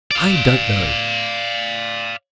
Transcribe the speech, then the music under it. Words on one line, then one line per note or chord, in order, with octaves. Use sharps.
I don't know.
D5 F5